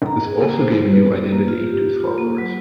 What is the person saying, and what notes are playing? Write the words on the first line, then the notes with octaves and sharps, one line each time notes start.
This also gave a new identity to his followers.
A#5
G#4
A#3
C5
B4
F#4
A#3
F4
G4
F4
A#3
F#3